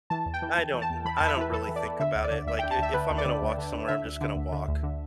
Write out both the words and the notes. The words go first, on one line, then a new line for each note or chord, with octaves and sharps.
I don't r I don't really think about it, like, i if I'm gonna walk somewhere, I'm just gonna walk,
E3 A5
E2
G5
E3
E2
E3
A5
E2
E3 B5
E2 A5
E5
E3 B4
E2 A4
E3
D5
E2
D3 E5
D2
D5
D3
D2 E5
G5
D3
A5
D2 E5
D3 B4
D2
D5
D3
D2
D3
D2
D3 E5
D2
D3
D2
D3
D2
D3